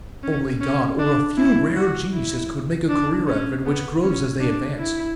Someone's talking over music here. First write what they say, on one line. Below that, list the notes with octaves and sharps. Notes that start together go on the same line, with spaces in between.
Only God or a few rare geniuses could make a career out of it which grows as they advance.
C#4
C#4
D4
E4
F#4
E4
D4
C#4
B3
C#4
D4
E4